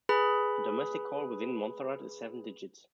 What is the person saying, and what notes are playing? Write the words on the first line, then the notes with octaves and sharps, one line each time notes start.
A domestic call within Montserrat is seven digits.
G#4 B4 B5